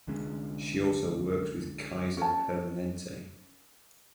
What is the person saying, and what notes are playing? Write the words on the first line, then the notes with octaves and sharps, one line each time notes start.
She also works with Kaiser Permanente.
C2 D3 G#3 C#4
C#4 A5